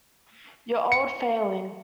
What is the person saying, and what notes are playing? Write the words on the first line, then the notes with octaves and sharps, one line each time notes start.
Your old failing.
C#7